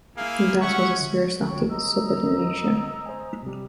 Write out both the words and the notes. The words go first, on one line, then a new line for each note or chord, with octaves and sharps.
That was a serious act of insubordination.
A#3 E4 G#4 E5 F5
C#4 C#5 E5 F#5 C#6
C#5 G5 C#6
D#5 A#5 D#6 E6
E6
C5 G#5
C3 G3